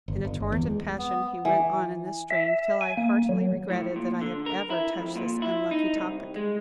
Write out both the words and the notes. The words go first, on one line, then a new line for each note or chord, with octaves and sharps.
In a torrent of passion, he went on in this strain, till I heartily regretted that I had ever touched this unlucky topic.
G1
G1
G1
E2
G#3
B3
E3
E5
G#5
A#3
F#3
A2
A#2
D3
A#4
E4
F2
A#2
E4
D#4
C2
G#3